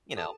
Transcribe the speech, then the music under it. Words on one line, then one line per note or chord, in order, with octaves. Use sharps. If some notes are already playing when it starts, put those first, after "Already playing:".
you know
A4 A5